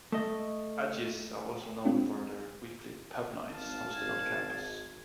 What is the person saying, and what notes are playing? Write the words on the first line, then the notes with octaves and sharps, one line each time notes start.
Aggies are also known for their weekly 'pub nights' hosted on campus.
A3 D#5
G#3 A3 C4 D4 F4 G4
G#1 F5 A5
G#6